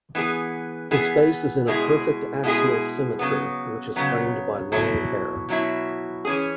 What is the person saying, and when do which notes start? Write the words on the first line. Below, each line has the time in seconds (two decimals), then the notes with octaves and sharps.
His face is in a perfect axial symmetry which is framed by long hair.
0.15 E3 B3 G#4
0.91 E3 B3 G#4
1.67 B2 G#3 E4 G#4
2.44 B2 G#3 E4 G#4
3.19 C#3 F#3 B3
3.96 C#3 F#3 B3
4.72 B2 F#3 E4
5.49 B2 F#3 E4
6.25 E3 C#4 G#4